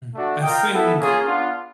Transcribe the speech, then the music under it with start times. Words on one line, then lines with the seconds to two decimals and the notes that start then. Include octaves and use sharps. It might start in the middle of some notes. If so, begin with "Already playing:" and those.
Hmm, I think
0.13 A3 D4 F#4
0.42 F4 A#4 D#5 G5
0.70 B3 E4 A4
0.98 A#3 C#4 F4 G#4
1.26 B3 D4 F4